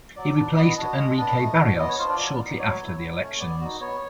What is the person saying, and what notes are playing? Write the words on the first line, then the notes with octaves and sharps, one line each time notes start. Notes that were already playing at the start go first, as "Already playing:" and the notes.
He replaced Enrique Barrios shortly after the elections.
F#3 D5
B3 D4
B3 D#5
D4 F#4
G#3
B3 D4
A3
D4 F#4
B3 D#5
C#5
D4 F4 C5
D5
F#3
B3 D#4
F#3 C#5
B3 E4
F#3
A3 C#4
B3 D5
D#4 F#4
B3 C#5